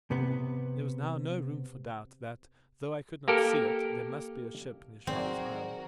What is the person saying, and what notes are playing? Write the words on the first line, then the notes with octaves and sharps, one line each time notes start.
There was now no room for doubt that, though I could not see it, there must be a ship near Shark's Isle.
C3 B3
A#3 G4 A4 A#4
D#3 F#3 C4 F#4 G#4 A#4 D5